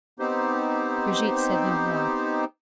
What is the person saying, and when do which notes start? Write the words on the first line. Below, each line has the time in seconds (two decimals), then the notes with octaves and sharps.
Brigitte said no more.
0.19 B3 C4 D#4 G4 C5